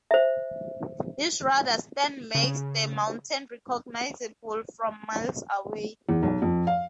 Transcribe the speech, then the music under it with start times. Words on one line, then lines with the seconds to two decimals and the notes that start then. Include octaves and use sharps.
This radar stand makes the mountain recognizable from miles away.
0.11 C5 E5
2.35 C#3
6.09 E2
6.23 B1
6.42 F2
6.67 F5